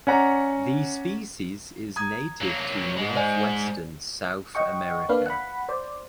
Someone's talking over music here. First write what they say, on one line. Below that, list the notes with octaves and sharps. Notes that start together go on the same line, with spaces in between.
The species is native to northwestern South America.
C#4 D5 F#5 A#5
A#5 D#6 G#6
F#3 A#3
G#2 G#3
C5 D5 G#5
D#5 F#5 G5 C#6
A#3 D4 B4 F5
F#5 B5
C5 D5